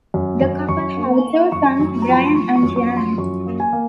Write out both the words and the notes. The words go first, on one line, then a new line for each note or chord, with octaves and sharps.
The couple have two sons, Brian and Gian.
F#2
F#2
F#2 C#6
A#3
A#3
F#2 C#6
F#2
A#5
F3 B5
C6
F3 C#6
C#6
F#2
C#6
F3
C6
F#2 C#6
A#3
G#5
A#3